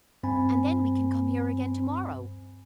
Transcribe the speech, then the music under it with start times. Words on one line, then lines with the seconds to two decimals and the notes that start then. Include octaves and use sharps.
"And then we can come here again to-morrow."
0.23 G2 C4 G#5 B5